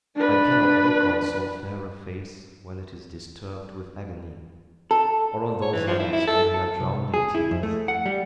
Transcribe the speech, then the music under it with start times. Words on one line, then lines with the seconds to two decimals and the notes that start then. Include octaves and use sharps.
I cannot look on so fair a face while it is disturbed with agony, or on those eyes when they are drowned in tears.
0.16 D4 B4
4.91 A4
5.62 C#5
5.73 E3
5.87 F3
6.00 E4
6.13 E4
6.28 A4
6.54 A4
6.80 C2
7.14 G#4
7.35 E4
7.51 F2
7.63 A3
7.88 F#5
8.06 G3